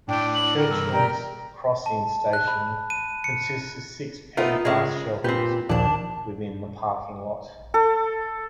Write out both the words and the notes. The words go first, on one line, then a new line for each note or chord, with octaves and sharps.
Churchmans Crossing station consists of six plexiglass shelters within the parking lot.
A2 D4 E4 G5
F#7
A#4 G5
C2 G2 E6
G4 D5 G5 A#5
A5
F#6
B5
D#7
C#7
A3 B3 D#4 F4 A#4
C#3 G#3
A#2 C4 G4 B4
A#1 D#2 D4 D5 A5
A4